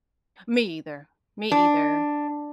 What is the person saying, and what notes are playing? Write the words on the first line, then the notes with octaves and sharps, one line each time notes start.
Me either. Me either.
D4